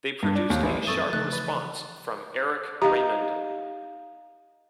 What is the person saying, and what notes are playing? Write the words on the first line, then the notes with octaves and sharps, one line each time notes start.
They produced a sharp response from Eric Raymond.
G2
D4
D#2
A1
G2 F#3 C4 A4 C#6 D#6 A6 D#7
C#3 E3 F3 A3 D#4 F#6
B4
D#4 G4 F5 A#5